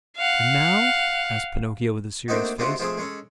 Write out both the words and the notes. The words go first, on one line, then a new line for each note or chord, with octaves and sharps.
"And now?" asked Pinocchio with a serious face.
F5 F#5
A3 A#3 C4 D4 D#4 F#4
C3 G#3 A3 D4 F4 F#4
F3 G#3 A3 C4 G#4
G#3 C#4 A4